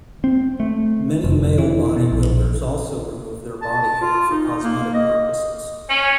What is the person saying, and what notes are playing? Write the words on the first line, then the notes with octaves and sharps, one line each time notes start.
Many male bodybuilders also remove their body hair for cosmetic purposes.
C4
A3
F1
E3
B2
A#1
A5
F4
D#4
A#3
D#5
C#4